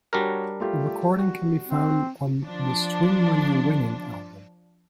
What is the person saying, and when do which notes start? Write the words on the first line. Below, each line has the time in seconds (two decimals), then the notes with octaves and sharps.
The recording can be found on the "Swing When You're Winning" album.
0.13 G3 D4 F#4 A#4 C#5
0.60 A3 F4 G4
1.18 F#4
1.67 C4
2.45 F3 D4